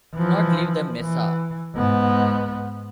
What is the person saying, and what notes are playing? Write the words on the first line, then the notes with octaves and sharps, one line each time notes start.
Do not leave the mesa.
E3 F3
E3
G#2 B3